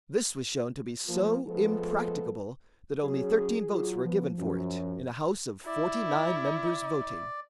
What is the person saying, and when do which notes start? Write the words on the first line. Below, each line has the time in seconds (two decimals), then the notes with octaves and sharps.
This was shown to be so impracticable that only thirteen votes were given for it in a House of forty-nine members voting.
1.07 F3 A#3
1.47 F3 G#3 A3 B3 F4 A4
3.04 F#3 C#4 G#4
3.69 F#3 F4
4.05 F3 B3
4.39 F#2
5.67 E4 D5